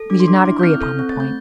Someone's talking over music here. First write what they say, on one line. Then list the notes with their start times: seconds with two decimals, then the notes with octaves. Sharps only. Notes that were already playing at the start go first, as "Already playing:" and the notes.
We did not agree upon the point.
Already playing: A4
0.10 D4 D6
0.20 C6
0.28 D4 D6
0.45 E4 D6
0.60 G6
0.63 C4 F6
0.81 A4 G6
0.99 C4
1.09 A6
1.16 A3 G6